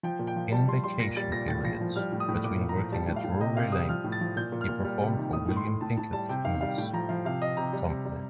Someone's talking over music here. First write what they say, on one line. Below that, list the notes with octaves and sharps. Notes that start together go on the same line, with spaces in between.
In "vacation periods" between working at Drury Lane, he performed for William Pinkethman's company.
F3 G5
A#2
G5
F3
G3 A5
G3 C6
G3 C6
A#2 A#6
G3 A6
A#2 A#6
A2 A6
F3 A#6
F3
G3 F6
A2
D#6
A2
A#2 D6
A#2
A#5
F3
G3 A5
A2
F5
A2
C3 D#5
C3 F5
G3 D#6
F3 F6
A2
A6
F3
A#2 G6
A#2
F6
A#2
G3 F6
C3
D#3
A2 D#6
A2
C6
A2
A2 A5
A2 A5
G3 A5
C3 G5
D#3 F5
G3 F5
A2 G5
F3 A#5
F3 F5
C3 F5
C3 D#5
C3 A#5
G3
C3
G3